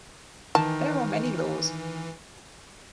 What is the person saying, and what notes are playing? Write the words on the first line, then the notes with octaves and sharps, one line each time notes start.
There are many laws.
D#3 E3 A5